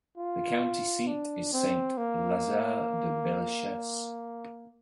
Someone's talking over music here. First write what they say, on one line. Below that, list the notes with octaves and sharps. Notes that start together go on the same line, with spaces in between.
The county seat is Saint-Lazare-de-Bellechasse.
F4
D4
C4
A#3